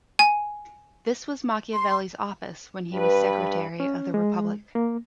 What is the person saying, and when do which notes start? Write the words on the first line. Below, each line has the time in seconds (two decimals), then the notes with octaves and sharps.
This was Machiavelli's office when he was Secretary of the Republic.
0.19 G#5
1.72 C6
2.94 G2 B4
3.80 C#4
4.14 G#3
4.75 A#3